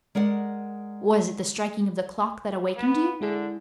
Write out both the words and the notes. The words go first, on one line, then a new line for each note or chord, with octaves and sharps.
"Was it the striking of the clock that awakened you?"
G#3 A#4 D5 F#5
B3
D3 G#3 E4 G#4